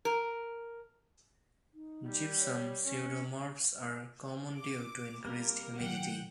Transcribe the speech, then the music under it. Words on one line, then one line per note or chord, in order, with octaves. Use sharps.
Gypsum pseudomorphs are common due to increased humidity.
A#4
D#4
G3
C#5
C#4
D6
G3 A#3 C4 A#4
D#3 F#3 F#5 G5